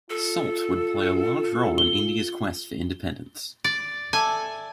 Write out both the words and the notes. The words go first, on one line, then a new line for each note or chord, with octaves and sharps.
Salt would play a large role in India's quest for independence.
F4 A4
G7
D5
A4 D5 E5 G#5